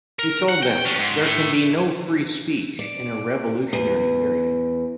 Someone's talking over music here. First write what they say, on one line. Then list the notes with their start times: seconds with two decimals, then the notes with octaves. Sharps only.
He told them: There can be no free speech in a revolutionary period.
0.19 A#4
0.49 F#5
0.63 G5
0.85 C#4 D4
0.98 G#2
1.22 A2 A3
2.79 D5
3.73 E2